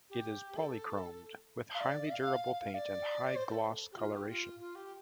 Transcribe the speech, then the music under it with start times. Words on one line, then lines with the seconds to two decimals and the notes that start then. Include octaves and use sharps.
It is polychromed with highly durable paint and high gloss coloration.
0.10 G4
0.56 A4
1.74 F5
1.81 D5
2.12 F5
2.64 F5
2.74 D5
3.35 C5
3.48 C5
3.52 A4
3.92 G4
3.98 F4
4.13 G4
4.29 F4
4.60 F4
4.75 G4